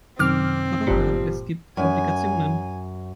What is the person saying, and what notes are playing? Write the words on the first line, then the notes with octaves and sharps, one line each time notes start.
Frau Doktor, es gibt Komplikationen.
F#2 C3 D#3 C4 D6 F6
G1 A#2 F3 G3
F#2 G#5